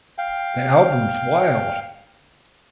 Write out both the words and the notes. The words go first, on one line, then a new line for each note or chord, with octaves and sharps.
The albums Wild!
F5 G5